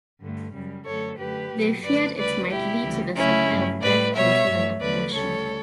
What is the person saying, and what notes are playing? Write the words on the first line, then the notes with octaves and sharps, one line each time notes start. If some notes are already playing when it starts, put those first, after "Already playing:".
They feared it might lead to the supply of birth control and abortion.
G2 D3 A3
F#2 C#3 G3
F#2 D3 A3 A4 C#5
F#2 D3 A3 G4 B4
B2 F#3 A3
F#2 D3 A3 B4 D5
D2 C#3 G3 B4 D5
B2 G3 E4 G4
D2 C#3 E3 G3
D2 C#3 F#3 A3 C#4 E4
G2 F#3 A3
A2 G3 B4 D5
B2 G3 C#5 E5
G2 F#3 A3
E2 D3 F#3 A3 B4 D5
D2 C#3 G3 A4 C#5